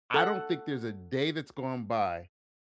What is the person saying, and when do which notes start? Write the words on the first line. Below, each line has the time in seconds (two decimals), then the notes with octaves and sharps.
I don't think there's a day that's gone by
0.14 A4 F#5